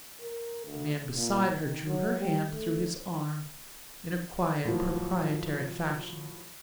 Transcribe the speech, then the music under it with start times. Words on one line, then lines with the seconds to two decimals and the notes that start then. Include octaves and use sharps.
A man beside her drew her hand through his arm in a quiet proprietary fashion.
0.22 A#4
0.66 D2
1.16 A#2
1.49 D#3
1.86 F#3
2.19 G3
2.50 A3
4.64 A2 D#3 F3 F#3